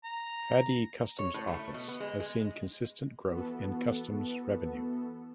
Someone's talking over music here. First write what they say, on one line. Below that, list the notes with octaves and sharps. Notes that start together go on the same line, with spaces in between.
Thadi Customs Office has seen consistent growth in customs revenue.
A#5
C#5
A2
A3
A3
B2
B3
G#3
G#3
E3 B3 F#4 A4